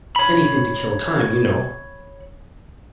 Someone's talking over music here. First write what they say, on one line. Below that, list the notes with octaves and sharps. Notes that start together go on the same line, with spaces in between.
"Anything to kill time, you know."
C#5 B5